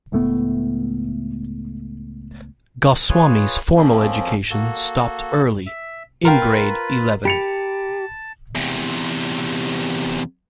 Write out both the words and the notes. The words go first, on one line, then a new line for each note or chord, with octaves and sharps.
Goswami's formal education stopped early, in grade eleven.
C#2 A2 A3 B3
F4 G#4 B4 C#5
F2 F3 A#3 C4 C#4
A#3 F#4 A4
E5
F4 A#4 B4 F5 G5 C6
G4 A5 B5 C#7 F7
E2 C3